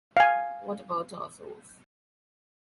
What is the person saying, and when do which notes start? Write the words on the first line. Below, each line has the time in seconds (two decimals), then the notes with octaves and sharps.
What about our souls?
0.17 F5 G#5